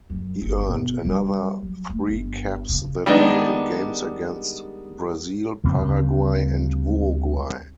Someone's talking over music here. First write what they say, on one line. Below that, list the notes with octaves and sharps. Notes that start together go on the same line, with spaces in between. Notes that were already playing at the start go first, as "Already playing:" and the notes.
He earned another three caps that year in games against Brazil, Paraguay and Uruguay.
F#2
G1
B2
G3
F#3
A3
G1
C#3
D#3 G3 G#3 B3 D4
D2 C#3 G3 C4